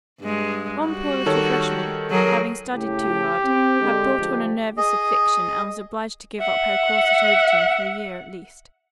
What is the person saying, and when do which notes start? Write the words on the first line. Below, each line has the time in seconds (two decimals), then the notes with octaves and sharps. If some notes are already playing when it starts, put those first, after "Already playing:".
One poor little freshman, having studied too hard, had brought on a nervous affection and was obliged to give up her course at Overton for a year at least.
0.20 G2 G#3
0.86 G3 F#4
1.26 D#3 A4 C#5
2.10 F#3 G#4 A#4
2.73 A2 C#3 G4
3.44 C4
3.80 D3 G#3
4.17 D3 F3 G#3
4.77 G#4 D#5
6.39 E5 F#5